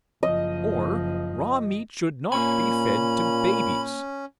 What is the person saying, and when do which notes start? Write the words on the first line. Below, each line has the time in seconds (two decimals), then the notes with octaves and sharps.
Or raw meat should not be fed to babies.
0.23 F#1 F3 D#5
2.32 A#2 A#3 C#4 C#5 G#5 B5